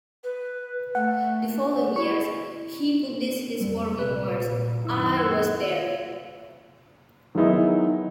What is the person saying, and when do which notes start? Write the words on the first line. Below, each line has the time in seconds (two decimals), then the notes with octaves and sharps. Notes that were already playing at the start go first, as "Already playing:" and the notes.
The following year, he published his war memoirs, "I Was There".
0.24 B4
0.95 A3 F#5
1.96 E4 C#6
3.61 F2 G3 G#3
3.99 A#1 C3 B4
4.47 A#2
4.85 F#2 D#3 E4 E6
5.17 F#5 E6 G#6
7.35 D#3 F#3 G#3 B3 D#4 E4